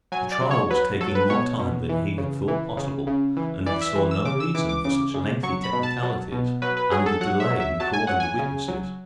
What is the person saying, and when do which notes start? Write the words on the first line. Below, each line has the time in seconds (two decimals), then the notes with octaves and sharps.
The trial was taking more time than he had thought possible, and he saw no reason for such lengthy technicalities and the delay in calling the witnesses.
0.12 F#3 G#5
0.32 D5
0.41 F#3
0.51 C#5
0.70 F#3 B4
1.01 F#3 A4
1.15 B4
1.30 B2 C#5
1.59 B2
1.89 E3
2.18 C#3
2.48 E3
2.77 C#3
3.07 C#3
3.37 E3
3.66 E3 D5
3.81 E5
3.95 E3
4.11 E6
4.25 C#3 D6
4.40 E6
4.55 E3 D6
4.69 D6
4.84 C#3 D6
5.14 C#3
5.43 F#3 C#6
5.64 B5
5.73 B2
5.83 A5
6.03 F#3
6.32 B2
6.62 F#3 B4
6.77 B4
6.91 F#3 G#4
7.06 A4
7.21 F#3 F#5
7.40 E5
7.50 F#3
7.60 E5
7.80 F#3 A5
7.93 G#5
8.07 F#3 F#5
8.20 G#5
8.39 C#3
8.68 F#3